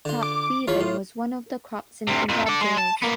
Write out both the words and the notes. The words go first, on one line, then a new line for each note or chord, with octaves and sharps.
Tat weaving was one of the crafts in Punjab jails.
D3 F4
D6
E2 F4 C#5 B5
A2
D2 C3
F2 A#2
A4 D5
G#3
A5
A#3 B3